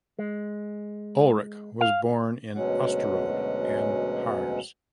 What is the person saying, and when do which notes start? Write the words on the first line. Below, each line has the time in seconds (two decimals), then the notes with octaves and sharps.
Ulrich was born in Osterode am Harz.
0.19 G#3
1.81 F5
2.55 D2 B2 F#3 G#3 C#4 F#5